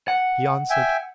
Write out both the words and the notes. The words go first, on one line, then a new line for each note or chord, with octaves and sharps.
He answered.
F#5
E5 G5 G#5